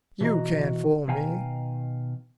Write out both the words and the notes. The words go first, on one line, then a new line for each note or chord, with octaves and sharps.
You can't fool me!
B2 E3 F#4 G#4 D#5 A#5
B2 D#3 F5 G5 G#5 A#5